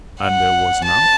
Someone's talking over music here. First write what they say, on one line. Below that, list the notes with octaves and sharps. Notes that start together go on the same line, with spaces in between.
"And there was none?"
F#5
A5